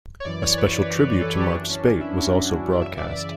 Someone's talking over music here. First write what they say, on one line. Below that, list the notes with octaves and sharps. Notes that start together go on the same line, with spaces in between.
A special tribute to Mark Speight was also broadcast.
C#5
F#2 E3 D5
C#5
B4
A4
G4
F#2 E3 D4
C#4
C#4
E4
F#4
D5
F#2 C#3 E3 E5
D5
D5